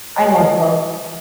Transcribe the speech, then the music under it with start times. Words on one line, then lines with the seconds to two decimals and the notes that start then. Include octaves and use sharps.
I love both.
0.17 C#2 B2 F#3 A3 C#5 D#5